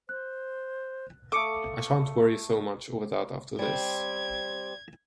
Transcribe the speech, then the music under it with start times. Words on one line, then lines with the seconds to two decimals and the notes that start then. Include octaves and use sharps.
I shan’t worry so much over that after this.
0.09 C5 F#6
1.32 A3 A4 F5 D6 D#6 C#7
3.59 G3 C4 G#6